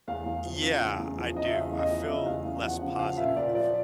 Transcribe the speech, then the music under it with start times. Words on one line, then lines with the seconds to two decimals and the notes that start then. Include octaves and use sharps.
Yeah, I do. I feel less positive
0.08 E2 F5
0.26 E2
0.44 F3
0.62 C#3
0.80 E2
0.99 E2
1.17 F3
1.35 C#3 D#5
1.45 E5
1.54 E2 F5
1.72 E2
1.78 D#5
1.90 F3
2.03 E5
2.08 C#3
2.26 E2 F5
2.45 E2
2.63 F3 F#5
2.82 C#3
2.99 F3 F5
3.17 A#2 E5
3.36 A#2 D5
3.54 F3 D5